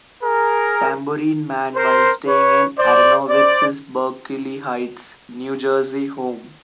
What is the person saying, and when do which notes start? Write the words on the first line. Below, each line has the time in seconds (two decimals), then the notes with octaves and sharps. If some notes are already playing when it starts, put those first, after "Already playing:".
Tambourine Man while staying in Aronowitz's Berkeley Heights, New Jersey home.
0.22 G#4 A#4
1.76 A#4 C5
2.27 B4 C#5
2.78 C5 D5
3.29 C5 D5